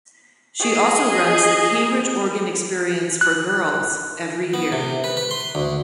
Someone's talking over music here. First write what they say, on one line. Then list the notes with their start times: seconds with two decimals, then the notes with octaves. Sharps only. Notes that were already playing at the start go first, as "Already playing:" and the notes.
She also runs the Cambridge Organ Experience for Girls every year.
0.60 G#4 D#5
3.21 F#6
4.54 B3
4.72 C3
5.04 B4
5.17 B4
5.31 C6
5.55 D2